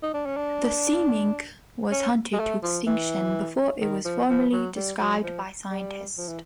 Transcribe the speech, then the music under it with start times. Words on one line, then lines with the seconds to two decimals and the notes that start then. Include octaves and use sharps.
The sea mink was hunted to extinction before it was formally described by scientists.
0.02 D#4
0.14 D4
0.26 C#4
0.36 D4
1.91 C#4
2.33 G#3
2.39 A3
2.63 F3
2.86 E3
3.81 D#3
4.05 F3
4.29 F3
4.52 F#3
4.76 G3
5.00 F#3
5.23 F3
5.71 G3
6.18 F3
6.28 E3